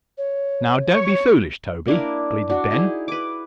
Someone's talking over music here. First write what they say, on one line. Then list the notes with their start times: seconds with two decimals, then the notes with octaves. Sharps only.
"Now don't be foolish, Toby," pleaded Ben.
0.18 C#5
0.90 C#5
1.87 A#3 D4 E4 A#4
2.50 D4 F#4
2.70 D#4 E4 G#4
3.08 B4 D6